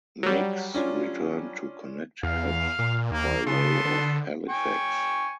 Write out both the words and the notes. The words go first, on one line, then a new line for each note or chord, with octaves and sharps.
Meigs returned to Connecticut by way of Halifax.
F#3 G3
C#4 D4 F4
E2 F5
A#2
D#2 A#3
C#3 B3 A4 C6
D3
G5 G#5 C#6